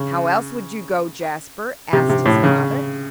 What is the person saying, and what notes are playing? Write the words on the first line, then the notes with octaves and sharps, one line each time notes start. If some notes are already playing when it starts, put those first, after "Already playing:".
"How else would you go, Jasper?" asked his father.
Already playing: C#3
C3
C3
A2
C#3